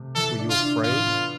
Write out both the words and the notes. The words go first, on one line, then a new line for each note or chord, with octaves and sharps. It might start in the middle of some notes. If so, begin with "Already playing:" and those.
"Were you afraid?"
Already playing: C3 A3
E3 A4
D4
F4
D4
A2 F4
B3